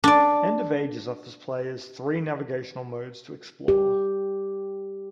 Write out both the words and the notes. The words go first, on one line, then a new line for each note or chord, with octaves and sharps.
"End of Ages" offers players three navigation modes to explore.
D4 D5
G4